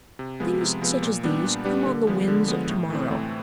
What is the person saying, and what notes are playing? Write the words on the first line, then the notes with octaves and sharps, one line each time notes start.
Things such as these come on the winds of to-morrow.
C3
F3 G#3 B3
C3
F3 G#3 B3
A#2
G3 B3 D4 G4
A#2
G3 B3 D4 G4
D3
F3 G#3 B3
D3
F3 G#3 B3
A2
E3 A3 C4
A2